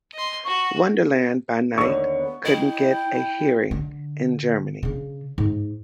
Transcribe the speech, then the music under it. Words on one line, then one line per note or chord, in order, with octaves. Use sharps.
Wonderland by Night couldn't get a hearing in Germany.
D#5 C6
F#4 C#6
D#2 D3 C#6
B3
E4 D#5 G5
D3
C#3 D4
G#2